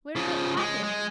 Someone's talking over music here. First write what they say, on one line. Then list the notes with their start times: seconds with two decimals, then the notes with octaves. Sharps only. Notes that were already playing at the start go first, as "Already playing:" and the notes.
Where did it happen?
0.16 C#3 F3
0.57 G#3
0.84 G#3